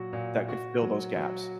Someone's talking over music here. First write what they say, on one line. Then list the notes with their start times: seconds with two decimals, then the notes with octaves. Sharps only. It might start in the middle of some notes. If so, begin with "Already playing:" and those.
that could fill those gaps.
Already playing: A#2 F#3 F#4
0.13 A#2
0.48 F#4
0.82 F#3
1.16 F#3